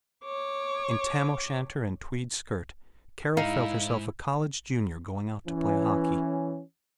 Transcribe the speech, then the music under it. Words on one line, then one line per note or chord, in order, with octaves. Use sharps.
In tam o'shanter and tweed skirt Carol felt herself a college junior going out to play hockey.
C#5 D6
G#2 D#4 E4 F5
E3 C#4